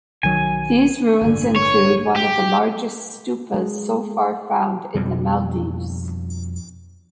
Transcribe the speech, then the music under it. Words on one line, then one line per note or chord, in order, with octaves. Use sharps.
These ruins include one of the largest stupas so far found in the Maldives.
B1 D#3 F#3 G#5
A1 G2 D3
C#5
G4
G#3
F2 B2 G3 C4